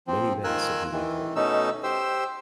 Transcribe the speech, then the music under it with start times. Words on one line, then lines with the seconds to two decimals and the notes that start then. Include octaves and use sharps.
Many men simply went home.
0.08 F3 C4
0.44 D#3 F4 A#4 G#5 E6 F#6
0.92 D#3 E3
1.36 B2 A3 C#4 D#4 E6
1.83 G4 C5 E6